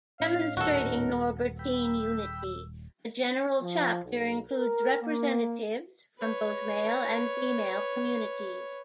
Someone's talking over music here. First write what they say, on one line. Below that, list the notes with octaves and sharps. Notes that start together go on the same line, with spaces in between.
Demonstrating Norbertine unity, the general Chapter includes representatives from both male and female communities.
A2 C#4 D#4 F5
D#1 F#4 A4 A#4
G5 B5 E6
F3
B1
A#4
A#3
B4 C#5